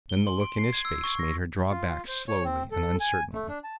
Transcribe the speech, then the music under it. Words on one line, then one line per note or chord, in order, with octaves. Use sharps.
Then the look in his face made her draw back, slowly and uncertainly.
G7
C6
D7
C7
G#6
E6
C#6
A#6
F4
C5
C#5
C4
A4
G#5
A3
D4
A5